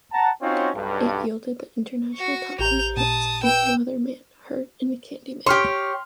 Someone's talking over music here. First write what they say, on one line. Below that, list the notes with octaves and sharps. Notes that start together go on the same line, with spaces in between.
It yielded the international top-ten hits "Ain't No Other Man", "Hurt" and "Candyman".
F#5 A5 A#5
C4 C#4 D#4 F4 F#4 C#5
B1 G2
F#4 C#6
A1 G4 A#5 G6 F7
A#2 A5 D#6 D#7
B4 G5 E6
G4 C#5 C6 F6